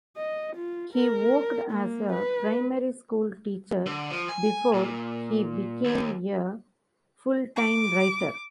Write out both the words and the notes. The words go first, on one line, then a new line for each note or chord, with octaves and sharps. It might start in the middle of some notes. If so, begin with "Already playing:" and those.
He worked as a primary school teacher before he became a full-time writer.
D#5
F4
A#4
A#3
B4
D3
F3
G#5
A#2
D#2
D6